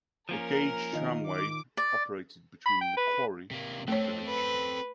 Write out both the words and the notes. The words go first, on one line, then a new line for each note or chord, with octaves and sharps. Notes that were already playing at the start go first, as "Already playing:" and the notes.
A gauge tramway operated between the quarry and the village.
F3 A#3 C#4 A#4
D#3 F4 D#5
D6
D5
B5
G5
B4
C3 A#3
A3 C4 A4 C#5
B4